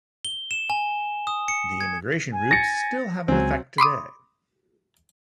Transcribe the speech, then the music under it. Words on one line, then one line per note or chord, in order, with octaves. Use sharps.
The immigration routes still have an effect today.
G7
E7
G#5
D#6
C#7
G#6
G#5
A6 A#6 C#7
C#2 F#3 C4 G#5
B5 C6 D6 D#6